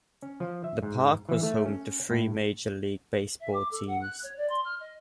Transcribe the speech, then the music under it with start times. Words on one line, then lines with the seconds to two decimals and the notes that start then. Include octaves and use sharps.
The park was home to three major league baseball teams.
0.22 C#4
0.40 F3
0.64 E5
0.83 G#2
1.29 E3
1.43 A3
1.66 C#4
2.10 A2
3.40 E5
3.54 D6
3.71 A4
3.87 F#5
4.01 F#6
4.23 C#5
4.37 D5
4.49 C6
4.65 F6
4.80 D#5